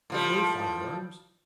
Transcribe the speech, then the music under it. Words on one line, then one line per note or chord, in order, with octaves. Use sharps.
"Have they fire-arms?"
A2 F3 G3